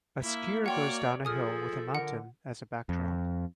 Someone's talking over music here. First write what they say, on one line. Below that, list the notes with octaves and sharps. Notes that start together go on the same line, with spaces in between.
A skier goes down a hill with a mountain as a backdrop.
A#3 E4
F#4 C#5 D5 F#5 G5 C6
F3 G#4 A4 G#5 D#6 F6
D3 A#4 F#5
F2